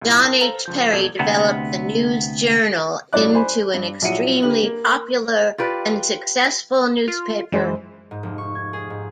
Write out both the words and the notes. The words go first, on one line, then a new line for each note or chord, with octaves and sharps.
John H. Perry developed the "News Journal" into an extremely popular and successful newspaper.
C2 A#2 E4
A#4 G5 A5
A4 C5 F5 A#5
C#2 F3 G6
F2 B2 F#3 A4 D5 G#6
D2 C3 B3
A1 G2 F#4 D5 D6 F#6
C5 G#5 B5
G2
A#1 F#3 E4 F#5 C#7 D#7
D3 G4 B4 F#7
A#3
F4 G4 B4 D5
F4
F#2 E3 G#3 C5
G#2
F1
C#6
G#6
G#4
G#2